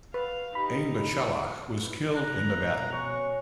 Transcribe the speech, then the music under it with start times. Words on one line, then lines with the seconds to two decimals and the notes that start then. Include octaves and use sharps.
Ainbcellach was killed in the battle.
0.14 B4 F5
0.55 D#4 G4 B5
1.82 B4 C6
2.15 A#5 F#6
2.54 B2
2.92 F#3 C#4 G#5 C#6